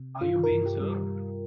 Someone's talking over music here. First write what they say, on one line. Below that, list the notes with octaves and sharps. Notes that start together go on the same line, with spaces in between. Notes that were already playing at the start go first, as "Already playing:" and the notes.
Are You Being Served?
Already playing: C3
G2 F4
A#4
G2
G4
G3